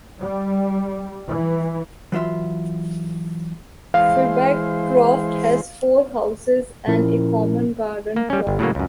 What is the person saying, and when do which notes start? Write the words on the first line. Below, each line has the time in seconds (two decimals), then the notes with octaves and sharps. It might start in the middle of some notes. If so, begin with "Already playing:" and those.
Firby Croft has four houses and a common garden plot.
0.20 G3
1.28 E3
2.12 E3 F#3 F4 E5 C6
3.94 E3 G#3 C5 F5
6.87 A#2 F3 C#4 E4 A#4
8.16 A#3
8.30 G3 C#4
8.47 G1
8.59 A2 C#3 F#3 A#3
8.75 C#2 F#2